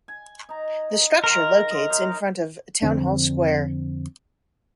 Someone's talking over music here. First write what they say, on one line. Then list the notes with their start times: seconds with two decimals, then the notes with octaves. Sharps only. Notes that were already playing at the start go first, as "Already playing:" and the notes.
The structure locates in front of Town Hall Square.
0.08 G#5
0.49 D#4 A#5
1.24 D#3 F4 A#4
1.71 D#5 E5 C6
1.89 F#3 D#4
2.82 F2 D3 C4 D4